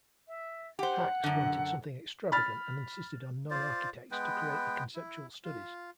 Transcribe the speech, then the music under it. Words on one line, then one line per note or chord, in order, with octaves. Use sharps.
Haks wanted something extravagant and insisted on non-architects to create the conceptual studies.
E5
G4 C5 F#5
F#2 D3
B5 F6 A6
F4 C5 D5
G#3 B3 B4 G5
E4
F4